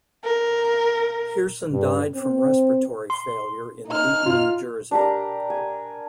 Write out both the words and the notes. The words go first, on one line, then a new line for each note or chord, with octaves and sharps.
Pierson died from respiratory failure in Newton, New Jersey.
A#4
G2
C4
C6
D#4 F6
F4
D4 G4 A#4
G#5